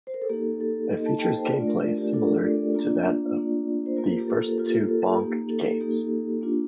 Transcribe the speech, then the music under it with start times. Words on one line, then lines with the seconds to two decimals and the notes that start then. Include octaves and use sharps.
It features gameplay similar to that of the first two Bonk games.
0.07 C5
0.14 A#4
0.22 A4
0.29 A#3 D#4 G4
0.61 A4
0.91 A#3 D#4 D#5
1.06 A5
1.21 G5
1.36 C5
1.52 A3 D4 F4 D5
1.67 A#4
1.98 G4
2.13 A3 D4 F4 A4
2.44 D5
2.74 A#3 D4 F4
3.35 A#3 D4 F4
3.86 C5
3.97 A#3 F4 A#4
4.19 G4
4.27 A4
4.58 A#3 F4 G4
4.89 A4
5.19 A#3 D#4 G4
5.50 A4
5.80 A#3 D#4 G4
6.42 A#3 D4 F4